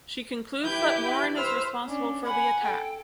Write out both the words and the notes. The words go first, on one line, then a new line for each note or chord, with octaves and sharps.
She concludes that Warren is responsible for the attack.
E4 G4 B4 G6
B4 C5 E6 F6
C#4 D4
F#5 G#5 B5
A4 G5